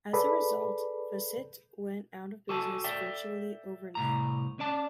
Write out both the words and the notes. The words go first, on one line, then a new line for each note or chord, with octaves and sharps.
As a result, Facit went out of business virtually overnight.
G#4 A4 B4 D5 B5
F#4 A4 G#5 A5
A4 D5 E5 G5
C2 A2 A#5
C#4 D5 A5